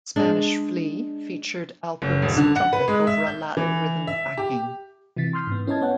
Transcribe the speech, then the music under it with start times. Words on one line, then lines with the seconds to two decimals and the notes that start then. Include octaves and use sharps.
"Spanish Flea" featured Alpert's trumpet over a Latin rhythm backing.
0.16 G#3 D4
2.02 F#1
2.22 D#1
2.37 D3
2.56 F#5
2.73 B4
2.88 G#3
3.07 E5
3.27 G6
3.57 E3
4.07 E5
4.38 G4
5.17 C3 E3 E4 A6 B6
5.33 C6 D#6 F6 G6 C7
5.47 G#2 B3
5.67 C#4 E4 C#5 D#5 A5 G#6
5.81 B3 C#5 F#5 G5